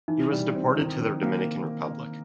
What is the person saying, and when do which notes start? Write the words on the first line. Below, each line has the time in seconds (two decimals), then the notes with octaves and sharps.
He was deported to the Dominican Republic.
0.08 E3 D#4
0.32 G3
0.55 C4
0.77 D#3 E4
1.00 D#3
1.23 A#3